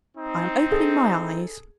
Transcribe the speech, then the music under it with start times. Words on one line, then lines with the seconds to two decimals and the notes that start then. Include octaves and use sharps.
I am opening my eyes.
0.17 C4 D#4
0.71 G#4 A4